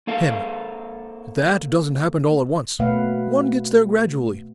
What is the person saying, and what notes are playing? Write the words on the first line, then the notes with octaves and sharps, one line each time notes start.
HIM: That doesn't happen all at once--one gets there gradually.
A#3 C4 A4 F5
B2 A3 A#3 B4 F5 F#5